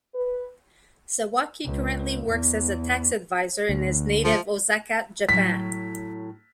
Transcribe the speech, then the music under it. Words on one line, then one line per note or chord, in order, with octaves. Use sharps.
Sawaki currently works as a tax advisor in his native Osaka, Japan.
B4
C#2
E2
D2
F3
A2 F#3 B6